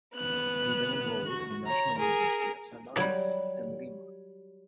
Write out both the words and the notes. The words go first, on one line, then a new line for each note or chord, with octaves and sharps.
He then enrolled in the National University of San Marcos in Lima.
B3 F#6
F#4
C#5 A#5
G#4 A#4
F#3 G3